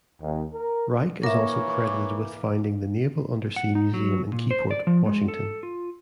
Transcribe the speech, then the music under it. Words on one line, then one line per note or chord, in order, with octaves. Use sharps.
Reich is also credited with founding the Naval Undersea Museum in Keyport, Washington.
D#2
A#4
E3 A#3 A#4 C#5 E5
F#5
D#4
F#3
A#2
C5
D5
F3
G#3
A4
F4